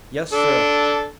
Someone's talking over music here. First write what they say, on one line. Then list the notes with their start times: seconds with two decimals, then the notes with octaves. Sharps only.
"Yes, sir."
0.33 D4 A4